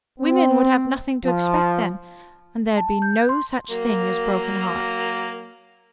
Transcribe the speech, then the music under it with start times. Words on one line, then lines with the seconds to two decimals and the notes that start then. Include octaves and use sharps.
Women would have nothing to expect then, and there'd be no such thing as broken hearts.
0.20 C4
1.24 F3
2.77 A5
3.02 G6
3.29 C6
3.69 F#3 A#3